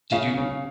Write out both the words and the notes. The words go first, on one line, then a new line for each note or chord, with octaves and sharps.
did you
C#3 F5
C#3